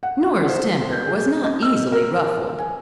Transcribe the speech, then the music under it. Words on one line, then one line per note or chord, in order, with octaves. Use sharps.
Nora's temper was not easily ruffled.
F#5
F4
C5
G6
G#4
D#5
E6
A#4
G#5